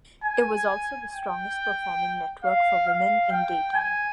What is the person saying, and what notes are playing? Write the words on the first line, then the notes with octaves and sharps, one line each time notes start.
It was also the strongest performing network for women in daytime.
G#5
G5
F5
F5
G5
G#5